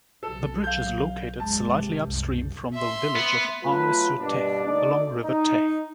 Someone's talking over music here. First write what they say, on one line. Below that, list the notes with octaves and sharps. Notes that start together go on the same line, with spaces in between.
The bridge is located slightly upstream from the village of Arles-sur-Tech, along River Tech.
B1 C#3 F#3 A4
F5 G6
F#1 G#3 A5
C3
C2 F#2
E5 C6
B3
F#3 A3 B3 F4 B4
G2 B2 A#3 D4
D2 D#4 A4 D5
D#4